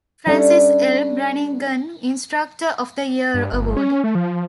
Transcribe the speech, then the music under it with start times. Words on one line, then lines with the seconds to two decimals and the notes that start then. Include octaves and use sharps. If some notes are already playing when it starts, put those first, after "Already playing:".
Francis L. Brannigan Instructor of the year award.
0.26 G3 C#4 D4 A4 D5 E5
3.34 G2
3.53 G1
3.77 C#4
4.04 A3
4.15 F3